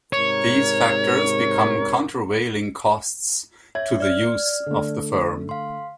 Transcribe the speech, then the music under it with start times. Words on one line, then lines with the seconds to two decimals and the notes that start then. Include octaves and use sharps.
These factors become countervailing costs to the use of the firm.
0.13 G#2 C3 A#4 C#5
3.75 C#5 E5 G#6
4.00 D5 F6
4.66 D3 A3
5.49 F5 C6